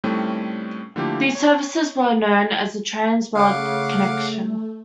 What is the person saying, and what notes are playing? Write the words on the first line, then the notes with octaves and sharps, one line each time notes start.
These services were known as the Trans World Connection.
A2 D#3 G3 A3 C4 C#4
D3 F3 A3 A#3 E4 G4
C#5 G#5
C#3 A3 F5 F#5 D6